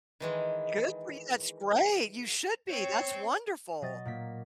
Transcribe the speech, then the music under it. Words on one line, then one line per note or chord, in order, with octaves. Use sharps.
Good for you, that's great, you should be, that's wonderful.
D#3 E3 G#3
C5 C#5 G5
B2 F#3 D#5 A6
A#2 A#3 B6